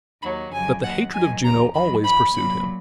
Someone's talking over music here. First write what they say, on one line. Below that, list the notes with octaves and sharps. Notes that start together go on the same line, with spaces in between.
But the hatred of Juno always pursued him.
D#2 D#3 F#3 B5
F2 C#3 F#3 G#5
D#2 D#3 F#3 F#5
F2 D#3 F#3 G#5
D#2 C#3 F3 A#5
F2 D#3 F#3 B5
F2 F3 B5
A#2 F#3 B5